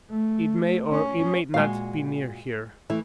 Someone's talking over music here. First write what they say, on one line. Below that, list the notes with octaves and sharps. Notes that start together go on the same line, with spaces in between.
It may or it may not be near here.
A3
C#4
A#2 G#3 F#4 F5
E3 A3 E4